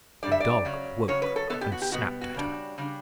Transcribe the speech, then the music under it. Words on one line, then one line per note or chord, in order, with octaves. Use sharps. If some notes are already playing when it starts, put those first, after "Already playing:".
The dog awoke, and snapped at her.
C#3 G3 D4 D5
E5
D5
C#3 F#3 C#4
C#3 F#3 C#4 C#5
B4
A4
B2 G3 B3 A4
G4
F#4
G4
B2 G3 B3 F#4
F#4
C#3 G3 D4
C#3 G3 D4